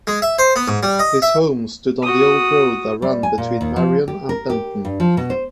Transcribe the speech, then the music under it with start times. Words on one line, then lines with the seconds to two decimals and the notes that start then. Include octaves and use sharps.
His home stood on the old road that ran between Marion and Benton.
0.07 G#3
0.22 E5
0.39 C5
0.56 B3
0.68 G#2
0.83 G3
0.99 D#5
1.22 E5
2.02 F#4 D#6
3.02 G3
3.23 G#5
3.38 A#2
3.61 D#2
3.76 F3
4.08 G4
4.29 A#4
4.50 G4
4.85 G2
5.00 F3
5.17 B2
5.30 C5